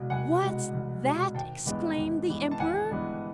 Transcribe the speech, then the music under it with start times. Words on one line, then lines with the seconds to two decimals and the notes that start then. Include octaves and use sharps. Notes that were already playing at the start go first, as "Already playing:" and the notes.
"What's that?" exclaimed the Emperor.
Already playing: C2 B2 G#3
0.10 C2 F#5 G#5
0.42 B2 G#3
0.73 C2
1.04 B2 G#3
1.35 G#1 G5 A5
1.66 G2 E3 G#3 B3
1.98 G#1
2.28 G2 E3 G#3 B3
2.51 A5
2.59 G#1 F#5 G#5
2.91 G2 E3 G#3 B3